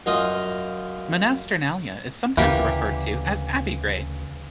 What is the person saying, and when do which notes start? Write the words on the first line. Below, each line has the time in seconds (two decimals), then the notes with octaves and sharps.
Monasternalea is sometimes referred to as Abbeygrey.
0.06 F#2 F4 D#5 D#6
2.37 D2 C#3 E3 A#3 G4